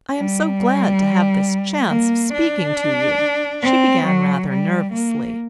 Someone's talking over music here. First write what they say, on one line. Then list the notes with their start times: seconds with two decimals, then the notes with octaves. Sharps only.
"I am so glad to have this chance of speaking to you," she began rather nervously.
0.16 G3
1.89 A#3
2.33 D4
3.62 C4
4.05 F#3
4.49 G3
4.92 A#3